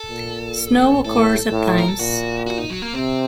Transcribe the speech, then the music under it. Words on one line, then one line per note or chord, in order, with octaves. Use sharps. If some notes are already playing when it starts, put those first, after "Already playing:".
Snow occurs at times.
Already playing: A4
A#2
A2 A4
A2
A#4
A4
A#2 F#4
F#4
D#4
F#3
A#3
C3 C4